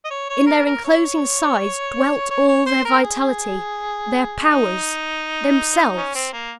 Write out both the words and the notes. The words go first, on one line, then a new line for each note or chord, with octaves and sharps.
In their enclosing sides dwelt all their vitality--their powers--themselves!
D#5
C#5
C#5
A#4
A#4
C#5
C#5
C#5
C5
A#4
G#4
D#4
C#4
C4
A#3